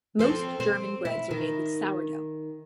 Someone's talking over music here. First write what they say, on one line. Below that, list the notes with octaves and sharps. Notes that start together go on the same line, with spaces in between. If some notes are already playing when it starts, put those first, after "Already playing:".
Most German breads are made with sourdough.
F3 C4 A4
C4
E4
D#3